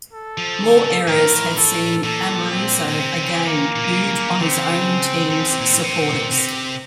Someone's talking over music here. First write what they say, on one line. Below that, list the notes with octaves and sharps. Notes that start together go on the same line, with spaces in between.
More errors had seen Amoruso again booed by his own teams' supporters.
A4
F3
D#3
C#3
A2 A#4
A4
A#2 A4
C4
A#2
C3
C#3
D#3 A#3
A#2
C3
C#3
C#3
D#3
C#3 C4
D#3
C#3
C3
A#2
A2
A#2 C4
C3